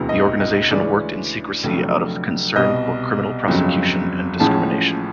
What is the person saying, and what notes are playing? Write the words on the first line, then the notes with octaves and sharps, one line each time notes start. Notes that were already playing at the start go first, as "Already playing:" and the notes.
The organization worked in secrecy out of concern for criminal prosecution and discrimination.
Already playing: E1 D2 C3 E3
D#5
D#5
D2 C#3 E3 G#3 C#4 D5
F1 F2 D3 F#3 A3
C2 B2 G3 D#5
G1 F2 C#3 F#3
A1 A2 F3 G#3 C#4 A5